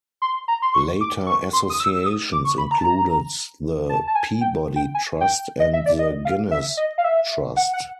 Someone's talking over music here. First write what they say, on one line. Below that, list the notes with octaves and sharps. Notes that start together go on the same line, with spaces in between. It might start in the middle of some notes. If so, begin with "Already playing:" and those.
Later associations included the Peabody Trust, and the Guinness Trust.
C6
A#5
C6
C#6
D6
C#6
C6
D#6
E6
E6
D#6
D6
C#6
B5
A#5
A5
A#5
A5
A5
G#5
G5
G5
G#5
G5
D#5
E5
D5
D#5
F5
E5
D#5
F5
E5
F#5
F#5